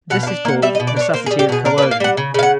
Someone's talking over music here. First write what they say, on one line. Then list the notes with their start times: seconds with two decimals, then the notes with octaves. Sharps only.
This is called "necessity of coercion."
0.10 B2 F#5
0.23 F5
0.27 D4
0.45 A#3 F#5
0.62 G3 E5
0.75 D#5
0.80 B2
0.87 D5
0.97 D4 C#5
1.14 A#3 C5
1.26 G#4
1.31 G3
1.39 G4
1.49 B2 G#4
1.65 D4 A#4
1.78 B4
1.82 A#3
1.91 F5
2.00 G3 F#5
2.17 C#3
2.34 C#3 F5
2.43 F#5